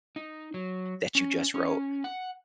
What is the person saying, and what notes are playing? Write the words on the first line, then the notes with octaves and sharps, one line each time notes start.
that you just wrote.
D#4
F#3
C#4
C#4
F#5